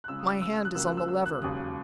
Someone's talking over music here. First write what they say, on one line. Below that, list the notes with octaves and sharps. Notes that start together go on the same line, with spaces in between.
My hand is on the lever.
F#6
C#2 C#3 G#3 E6
D#6
E6
E6
E6
F#6
C#2 C#3 F#3 A#3 E6
F#6
E6
E6
F#6
E1 D#2 C#3 F#3 D#6